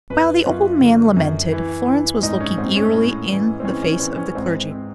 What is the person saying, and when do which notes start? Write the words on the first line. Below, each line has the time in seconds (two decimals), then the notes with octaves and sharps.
While the old man lamented, Florence was looking eagerly in the face of the clergyman.
0.10 F#2 B4
0.46 F#2 F4
0.81 D3
1.16 F#2
1.52 E3
1.88 E3
2.23 G#2 D#4
2.40 C#4
2.58 G#2 C4
2.76 C#4
2.93 A2
3.30 E3
3.60 C4
3.65 E3 C#4
3.83 C#4
4.00 E3 C4
4.17 C#4
4.35 G#2 C4
4.70 C4